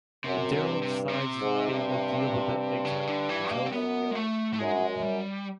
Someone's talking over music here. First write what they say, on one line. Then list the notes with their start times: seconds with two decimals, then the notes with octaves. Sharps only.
Daryl decides they will deal with it later and tells the others to move.
0.24 F#2 C3
0.53 C3
0.68 G2
0.82 C3
1.09 C3
1.39 G#2
1.69 G2
2.85 C#3
3.07 D3
3.29 E3
3.51 A#3
3.66 C4
3.72 F#2 B3
4.11 G#3
4.15 A3
4.53 A3
4.59 F#2 G#3
4.89 F#2
5.02 G3